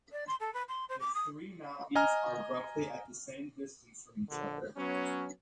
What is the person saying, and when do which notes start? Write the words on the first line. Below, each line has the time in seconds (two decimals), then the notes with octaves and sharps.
The three mountains are roughly at the same distance from each other.
0.12 D5
0.27 C6
0.40 A4
0.54 B4
0.68 C6
0.89 C5
1.00 D6
1.14 D#6
1.95 D#5 G#5 A#5 F6
4.30 A#1 D3
4.76 F#3 B3 C#4